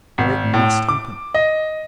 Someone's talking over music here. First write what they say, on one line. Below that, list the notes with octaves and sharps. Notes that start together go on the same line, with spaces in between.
For it MUST happen.
G#1
A2
D6
D#5